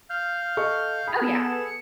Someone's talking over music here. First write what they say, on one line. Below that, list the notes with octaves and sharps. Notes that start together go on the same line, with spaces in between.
Oh, yeah.
F5 F6 G6
A4 D#5 C#6
G#4 B5
B3 A4 E7
C#7